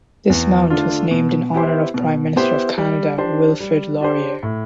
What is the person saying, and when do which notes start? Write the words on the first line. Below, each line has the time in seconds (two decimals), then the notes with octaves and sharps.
This mount was named in honor of Prime Minister of Canada Wilfrid Laurier.
0.30 E2
0.70 D3 A3 D4 F4
1.11 B2
1.53 B3 E4 G4 C5
1.94 B2
2.36 B3 E4 G4 C5
2.78 G3
3.18 D4 G4 C5
3.60 G3
4.01 D4 G4 C5
4.43 A2